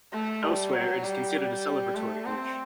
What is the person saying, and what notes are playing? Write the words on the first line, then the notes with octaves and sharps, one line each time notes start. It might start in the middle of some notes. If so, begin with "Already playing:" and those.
Elsewhere, it is considered a celebratory dish.
A3
G3
F#3
G3
G3
A3
C4